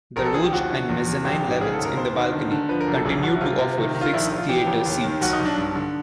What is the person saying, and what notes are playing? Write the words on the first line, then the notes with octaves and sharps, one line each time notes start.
The loge and mezzanine levels in the balcony continue to offer fixed theater seats.
A#1 A#4
A4
F3 G#4
G4
D#2 F#4
D3
E2
E2
A#1 G4
G#2
C#3 G#4
A4
D#2
A#4
D#2 C5
D#3
D3
D3
F3 B4
A#4
F#1
A4
B1 G#4
B1 F#4
E4
C3 F4
C3
D#3
D#3
F4
A#1 E4
A#1
F4
E3 G4
A1
D#2
D#3
B1 F#4
D#4
B1
D4
G2
D3